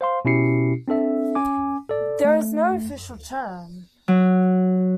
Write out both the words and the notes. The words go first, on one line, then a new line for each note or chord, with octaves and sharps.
There is no "official" term.
C5 F5 C6
B2 C#4 E4 G4 C7 C#7
C4 D4 A4 E5
C#4 G#5 D6
A4 D5
A3
F#3